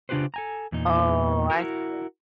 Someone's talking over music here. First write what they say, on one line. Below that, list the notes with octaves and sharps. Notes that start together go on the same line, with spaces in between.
Oh, I see.
C#3 D4 F4 G4 B4 C5
A4 G#5 A#5
E2 A#2 D#4
E4 F#4 A#4